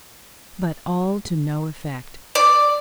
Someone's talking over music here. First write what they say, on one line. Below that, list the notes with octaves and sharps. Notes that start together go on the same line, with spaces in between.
But all to no effect.
D5